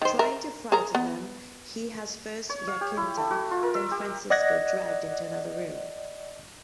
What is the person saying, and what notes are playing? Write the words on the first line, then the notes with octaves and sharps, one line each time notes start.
Trying to frighten them, he has first Jacinta, then Francisco dragged into another room.
D#3 C5
A#4 E5
G#4 A#4 A#5
B3
C#5
F5
G4
E4
A3
F#4
F4
A#4
E5
G4
D5 D#5 F#5 F#6 G#6 A#6